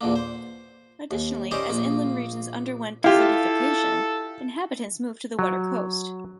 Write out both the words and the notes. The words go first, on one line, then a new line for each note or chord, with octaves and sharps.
Additionally, as inland regions underwent desertification, inhabitants moved to the wetter coast.
E2 A#2 D3 A#3
C5
D#2
C#4 D#4 G4 A#4 C5 D5
A#1 A#3 F4
E4 F4 G4 A4 F5
F#3